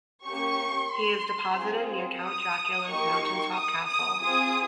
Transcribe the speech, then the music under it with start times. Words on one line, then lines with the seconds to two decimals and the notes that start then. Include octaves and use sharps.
He is deposited near Count Dracula's mountaintop castle.
0.25 A#3 C#4 G4 C#6
0.91 C6
1.57 C4 F4 G#4
2.23 D#6
2.89 A#3 D#4 G4 C#6
3.54 D#6
3.88 D#6
4.21 C4 F4 G#4 D#6